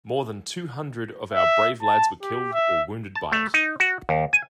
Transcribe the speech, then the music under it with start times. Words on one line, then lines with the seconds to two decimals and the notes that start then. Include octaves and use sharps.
More than two hundred of our brave lads were killed or wounded by it.
1.34 E5
1.82 A5
2.22 G4
2.53 E5
3.15 A5
3.32 A3
3.54 D#4
3.80 F#4
4.09 D#2
4.33 G#5